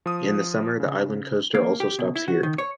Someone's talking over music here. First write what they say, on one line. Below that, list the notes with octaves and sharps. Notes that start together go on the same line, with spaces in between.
In the summer, the Island Coaster also stops here.
F3 D#6
C#3
A#3
G4
B2
E4
F#4
D#3
C#5